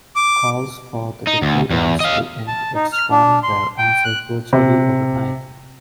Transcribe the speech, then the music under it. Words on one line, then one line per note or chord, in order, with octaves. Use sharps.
Calls for "The Dakotas" to end its run were answered virtually overnight.
D6
D#4
D2
E2
D#5 F5
A5
D#4
F6
D4
C6
G5
F#6
C3